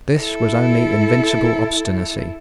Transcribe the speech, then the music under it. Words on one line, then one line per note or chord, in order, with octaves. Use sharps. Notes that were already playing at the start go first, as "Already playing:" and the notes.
This was only invincible obstinacy.
E4 A4